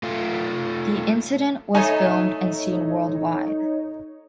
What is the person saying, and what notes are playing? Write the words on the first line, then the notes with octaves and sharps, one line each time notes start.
The incident was filmed and seen worldwide.
A3 F4
A3 D#4 C#5 G#5